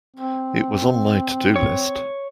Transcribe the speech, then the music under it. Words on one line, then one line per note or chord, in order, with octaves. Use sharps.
It was on my to-do list.
C4
C#5